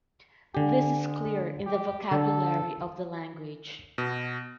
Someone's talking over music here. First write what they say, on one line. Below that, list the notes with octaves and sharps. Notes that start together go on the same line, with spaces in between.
This is clear in the vocabulary of the language.
D3 G4 G#5
G#3
G4
D3 A4
B2